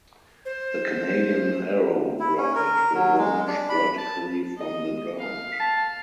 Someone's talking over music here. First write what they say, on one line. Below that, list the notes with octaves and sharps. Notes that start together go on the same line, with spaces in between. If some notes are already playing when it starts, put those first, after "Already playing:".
The Canadian Arrow rocket will launch vertically from the ground.
C5
E4
C#4
A#4
F#3
G#3
D4
B5
A5
D#5
F5
A5